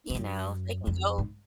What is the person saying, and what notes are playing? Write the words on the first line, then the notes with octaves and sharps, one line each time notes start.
you know they can go
F2
F#2
F2
G#2